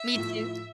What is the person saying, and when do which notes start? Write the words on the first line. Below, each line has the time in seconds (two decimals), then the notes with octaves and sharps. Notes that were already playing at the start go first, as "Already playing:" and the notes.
Me too.
Already playing: E5
0.15 A2 F3